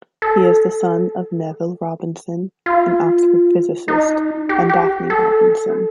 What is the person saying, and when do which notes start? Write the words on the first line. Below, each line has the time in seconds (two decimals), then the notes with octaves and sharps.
He is the son of Neville Robinson, an Oxford physicist, and Daphne Robinson.
0.22 A4
2.66 F4
3.88 D#4
4.49 G4
4.69 G4
5.10 A4